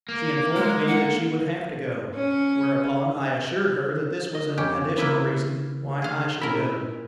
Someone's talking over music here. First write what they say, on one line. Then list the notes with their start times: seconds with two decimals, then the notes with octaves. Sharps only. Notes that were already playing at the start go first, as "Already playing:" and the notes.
She informed me that she would have to go, whereupon I assured her that this was an additional reason why I should go.
0.09 A#3
0.56 G#3
0.87 F#5
2.15 C#4
4.35 D#5
4.58 F2 C#4 G4
4.98 C#3 A#3 E4 B4
6.02 G#4 F5
6.41 A#2 C#4 E4 A#4 B5